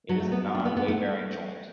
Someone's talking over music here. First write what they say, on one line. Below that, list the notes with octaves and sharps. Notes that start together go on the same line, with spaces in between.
It is a non-weight bearing joint.
F#3
A3
B3
D4
B3
B3
A3